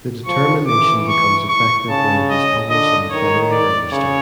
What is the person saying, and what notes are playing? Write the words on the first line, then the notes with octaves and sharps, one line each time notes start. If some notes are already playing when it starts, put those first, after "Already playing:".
The determination becomes effective when it is published in the Federal Register.
F3 C#6
E3 D6
C#6
C#6
C#3 A5
D#5
D3 D#5
D#3 C#5
D5
C#3 C#5